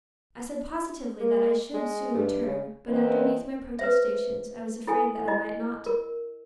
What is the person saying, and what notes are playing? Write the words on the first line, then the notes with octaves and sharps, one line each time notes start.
I said positively that I should soon return, but underneath my protestations I was afraid that I might not.
A#3
G#3
G2
C#3
E2 A#3 C4 B4 D#5
B4 C5 E5
E4 A4 G#5
E4 D#5
A#4